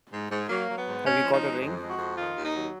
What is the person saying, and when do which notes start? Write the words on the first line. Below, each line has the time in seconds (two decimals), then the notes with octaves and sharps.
Have you got a ring?
0.12 G#2
0.31 G#2
0.49 F#3 A#3
0.68 F#3
0.77 B3
0.87 G#2
1.06 G#3 C#4
1.23 F3
1.33 D#4
1.43 G#3
1.61 F2
1.80 G#3
1.89 F#4
1.98 F2
2.16 D#3 F4
2.36 D#2
2.44 D#4
2.55 F#3